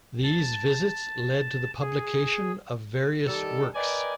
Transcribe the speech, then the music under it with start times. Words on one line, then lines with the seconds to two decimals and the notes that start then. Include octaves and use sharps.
These visits led to the publication of various works.
0.23 A5
1.81 G#4
3.26 D#3 G3 A4
3.74 A#4 B4 D5 D#5 G5 G#5